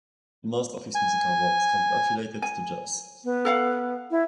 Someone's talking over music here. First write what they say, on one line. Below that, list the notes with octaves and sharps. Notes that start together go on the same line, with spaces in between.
Most of his musical works can be affiliated to Jazz.
G#5
G#5
B3
A4 F5 F#5
E4